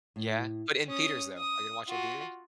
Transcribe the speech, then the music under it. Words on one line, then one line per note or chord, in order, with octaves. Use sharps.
Yeah. But in theaters, though, are you gonna watch in theaters?
A2
C#4 D#6
D#6
F4 F#4